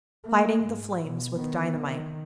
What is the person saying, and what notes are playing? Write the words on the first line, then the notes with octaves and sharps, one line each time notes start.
Fighting the Flames With Dynamite.
A#3
G#2
B2
D#3 B3
D#3